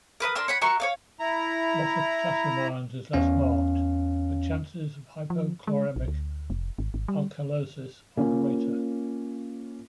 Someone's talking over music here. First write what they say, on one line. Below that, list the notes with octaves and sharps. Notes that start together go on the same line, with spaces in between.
Loss of potassium ions is less marked but chances of hypochloremic alkalosis are greater.
A#4 B4 E5 D#6
D4 A#4 C6 E6
C#5 F#5 B5
F#4 A#4 E5 C#6
C#5 D5 F5
E4 A#5
E2 C#4 F5
F3
G#3
A#1
D2
F1
G#1
G#1
G3
A#3 C#4 F4